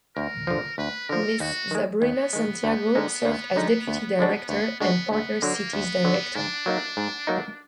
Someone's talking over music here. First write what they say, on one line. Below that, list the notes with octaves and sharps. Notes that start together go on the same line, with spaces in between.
Ms. Zabrina Santiago served as Deputy Director and Partner Cities Director.
D2 A#4
D3 F3
D2 B4
D3 F3 A#4
D#2 F#4
D#3 G#3
D#2 B3
D#3 G#3
D2
D3 G#3 D#4
D2
D3 G#3 D#4
D2
D3 G#3 D4 F#4
D2 B3
D3 G#3 B3 D4 F#4
D2 B3
D3 F#3 A#3
D2 B3
D3 F#3
G#2 D4
F#3 A#3 D#4
G#2
F#3 A#3 D#4